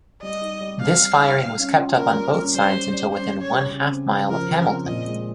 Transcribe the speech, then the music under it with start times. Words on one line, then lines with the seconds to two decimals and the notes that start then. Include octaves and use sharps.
This firing was kept up on both sides until within one-half mile of Hamilton.
0.22 G3 D#5
0.42 D#4
0.60 G3
0.80 C4 F5
1.00 G3
1.19 D#4
1.38 G3
1.58 C#4
1.77 F4
1.96 A#3 A#4
2.16 G3
2.35 C#4
2.54 G3 C5
2.73 G4
2.93 G3
3.12 C#4 C5
3.31 G3
3.41 C#5
3.52 G4
3.70 C#3
3.90 C4
4.09 C#3
4.29 F3 A#4
4.48 C#3
4.67 C4
4.86 A#2 D#5
5.06 G#3